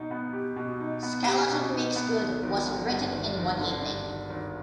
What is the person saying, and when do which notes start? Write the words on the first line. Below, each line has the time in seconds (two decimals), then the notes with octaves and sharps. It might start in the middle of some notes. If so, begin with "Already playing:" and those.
"Skeleton Makes Good" was written in one evening.
Already playing: B2 D#4
0.11 B3
0.33 G4
0.56 B2
0.80 D#4
1.03 B3
1.27 G4
1.49 B2
1.73 D#4
1.96 B3
2.20 G#1
2.43 G#1
2.66 D3
2.90 G2
3.12 G#1
3.36 G#1
3.59 D3
3.82 G2
4.05 G#1
4.30 G#1